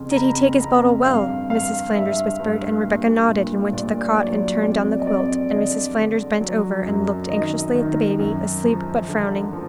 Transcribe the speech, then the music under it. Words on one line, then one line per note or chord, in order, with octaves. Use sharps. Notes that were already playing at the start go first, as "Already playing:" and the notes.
"Did he take his bottle well?" Mrs. Flanders whispered, and Rebecca nodded and went to the cot and turned down the quilt, and Mrs. Flanders bent over and looked anxiously at the baby, asleep, but frowning.
Already playing: F2 C#3 C6
A#5
F2 B5
F2 A#5
G2 F5
G2 F5
G2 E5
G2
A#2
A#2
A#2 D5
D5
F#3 C#5
F2 D5
D#5
F2 D5
D3 D#5
D3
F#3
F#2
D#3 D#5
D#3
F#2
F3
D3
F3